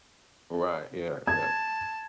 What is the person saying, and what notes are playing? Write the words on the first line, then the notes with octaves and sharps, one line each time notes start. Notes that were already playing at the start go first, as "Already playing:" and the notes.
Right, yeah, yeah.
A5 G#6